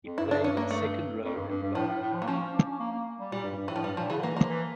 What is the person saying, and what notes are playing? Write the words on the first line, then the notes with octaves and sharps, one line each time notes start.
He played at second-row and lock.
F2
G2 E4
D4
C#4
A#3
A3
F2
G2
G2
G2
A2 F3
A2
A2
F3
E3 A#3
F3 C#4
D4
C#4
A#3
A#3
G3
A#2 G3
G2
G2
E3
A2
F3
G2 G3
A#2 F3
C#3 E3
D3
E3 A#3
F3 A#3
E3